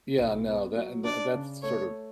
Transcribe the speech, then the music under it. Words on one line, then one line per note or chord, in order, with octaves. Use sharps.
Yeah, no, tha and tha that's sort of
B1
B3
F#3
D4 D5
C#3
A3 C#5